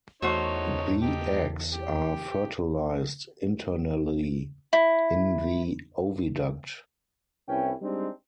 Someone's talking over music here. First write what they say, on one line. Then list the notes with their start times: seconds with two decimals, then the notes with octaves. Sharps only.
The eggs are fertilised internally in the oviduct.
0.22 E2 A3 D#4 F#4 C5 C#5
1.03 D#4 G4
1.72 G4
4.73 E4
7.48 C2 C#4 E4 B4 G5
7.81 G3 G#3 C4 D4 D#4